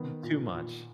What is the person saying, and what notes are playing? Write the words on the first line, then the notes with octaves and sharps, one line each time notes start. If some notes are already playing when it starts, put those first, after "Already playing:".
N too much.
Already playing: D#3 B3
A#2
A#2